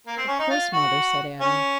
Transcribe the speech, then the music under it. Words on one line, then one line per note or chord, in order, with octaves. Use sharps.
"Of course, Mother," said Adam.
A#3
C4
C#4
D#4
F4
F#4
C#4